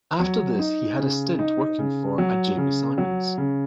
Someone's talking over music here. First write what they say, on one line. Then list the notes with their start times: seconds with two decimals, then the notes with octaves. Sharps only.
After this he had a stint working for a Jamie Symonds.
0.20 F#3
0.59 D#4
0.99 C#3
1.39 D#4
1.79 C#3
2.18 F#3
2.58 C#3
2.98 F#3
3.38 C#3